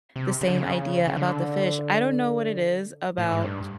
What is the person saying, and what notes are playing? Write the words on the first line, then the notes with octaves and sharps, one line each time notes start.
the same idea about the fish, I don't know what it is about,
C3
C#3
D3
C#3
C#3
D3
A2
G#2
G2